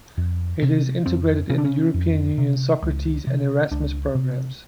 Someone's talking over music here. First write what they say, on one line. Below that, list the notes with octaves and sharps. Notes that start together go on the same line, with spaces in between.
It is integrated in the European Union's Socrates and Erasmus programs.
F2
C3
F2 C4
C3 C#4
D4
C#4
F2
C3
C#2
C3
C#2 D4
C3